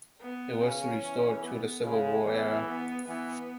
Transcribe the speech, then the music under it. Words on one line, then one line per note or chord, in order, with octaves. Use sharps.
It was restored to the Civil War era.
B3
C#3 C#4
E3
B3
C#3 G#3
E3 B3
B3
E3 B3